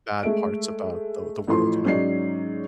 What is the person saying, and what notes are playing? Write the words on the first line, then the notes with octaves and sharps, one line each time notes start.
bad parts about the the world, you know?
G#3 A3 E5 D7
A1 A2 F3 A3 C6
G#2 F#3 C#4 D#4 D5 C7